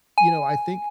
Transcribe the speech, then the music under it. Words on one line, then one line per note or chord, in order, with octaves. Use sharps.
you know, I think
G#5